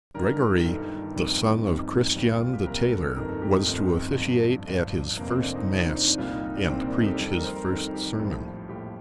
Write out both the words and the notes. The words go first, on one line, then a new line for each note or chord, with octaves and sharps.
Gregory, the son of Christian the tailor, was to officiate at his first mass and preach his first sermon.
G1 G2 D#3 G3 A#4
G4
G1 G2 D#3 G3 A4
G1 F2 D#3 G3
G1 F2 D#3 G3
C2 A#2 G3
F4
G4
C2 A#2 G3 A#4
A4
A4
G1 F2 D#3 A#4
A4
G4
D#4
G1 F2 D#3 A3
A1 G2 F3
A1 G2 F3
F1 F2 C3 A#3
C4
D4
D#4
F1 F2 C3 D#4
D#4
D4
D4
C2 A#2 G3 F4
D#4
D4
C2 A#2 G3 C4
A#3
D#4
A4
G4
F2 D#3 G3 A4
A#4
C5
A#4
F2 D#3 G3 A4
G4
A#1 A2 F3
A#1 A2 F3 G4